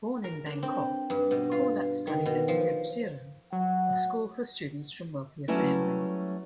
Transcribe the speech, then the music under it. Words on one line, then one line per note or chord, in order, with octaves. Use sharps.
Born in Bangkok, Kulap studied at Debsirin, a school for students from wealthier families.
A#4
D4
C4
G2
B2
F4
D#3
B2
F3
F#3 F#5
F#3 G3 A3 C#4 E4 B4